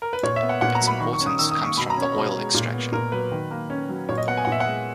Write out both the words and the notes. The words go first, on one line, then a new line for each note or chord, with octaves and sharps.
Its importance comes from the oil extraction.
A#4
B4
A#2 C#5
E5
B3
F#5
A#2 F#5
A#5
F#3
B5
D#3 C#6
C#6
C#4
D#6
D#3 E6
D#6
A#3
C#6
B2 B5
A#5
C#4
C#5
B2
G#3
A#2
B3
A#2 A#4
F#3 B4
D#3
A#3
C#4
F#3
A#2 C#5
D#5
B3 F#5
G#5
A#2 F#5
E5
F#5
G#3